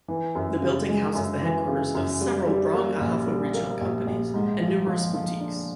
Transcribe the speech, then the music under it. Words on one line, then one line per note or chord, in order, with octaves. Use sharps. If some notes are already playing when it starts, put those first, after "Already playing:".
The building houses the headquarters of several Brong-Ahafo regional companies, and numerous boutiques.
E3
F#2
C#3
G#3
F#2
E3
C#3
F#2
G3
G3
A#3
A#1
G3
A#3
A#1
A#1
G#2
F3
F3
F3
D4